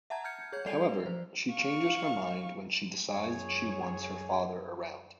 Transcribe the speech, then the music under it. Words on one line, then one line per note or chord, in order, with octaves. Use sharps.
However, she changes her mind when she decides she wants her father around.
E5 F#5 A5 A#5 G#6
F6 G6 G#6 C#7
G#4 C#5 G6 G#6
G3 A4 D5 C7 F7
B4
F3 C5
F5 C#6
C#2 F#2 F#3 G#4 C#5